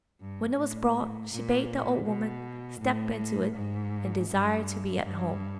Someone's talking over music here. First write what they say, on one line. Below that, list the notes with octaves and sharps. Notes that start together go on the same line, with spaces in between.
When it was brought she bade the old woman step into it and desire to be at home.
G2
A2
A#2
B2
A2
G#2
G2
G2